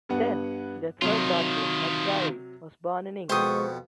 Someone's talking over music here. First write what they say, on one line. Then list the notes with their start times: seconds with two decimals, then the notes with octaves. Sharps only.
Then, their third daughter, Marjorie, was born in England.
0.09 G2 B3 F#5
1.02 C3 D#3 F#3 F4
3.29 F2 B2 G#3 G4 C5 C#6 D#6